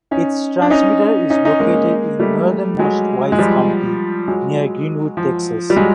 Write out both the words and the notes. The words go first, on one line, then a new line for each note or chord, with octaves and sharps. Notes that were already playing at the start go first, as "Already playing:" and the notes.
Its transmitter is located in northern most Wise County near Greenwood, Texas.
C#4 D#4
D4
C#4 D#4
C#4 D#4
C#4 D#4
G#3 A#3
G3 A3
F#3 G#3
G#3
F3 G3
F#3 G#3
F3
G3
F#3 G#3